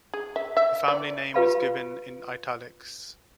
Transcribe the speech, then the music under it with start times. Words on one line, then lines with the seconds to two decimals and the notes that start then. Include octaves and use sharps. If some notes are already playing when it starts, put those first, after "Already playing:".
The family name is given in italics.
0.14 G#4
0.36 E5
0.57 E5
0.88 D5
1.34 F4 G4 B4 F5 A5 B5